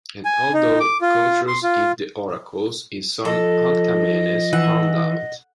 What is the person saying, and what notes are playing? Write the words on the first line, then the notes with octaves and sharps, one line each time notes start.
And although Catreus hid the oracles, his son Althaemenes found out.
G#5
D#4
D6
F4
C6
F4
F3 A4 D#5
E3 F#5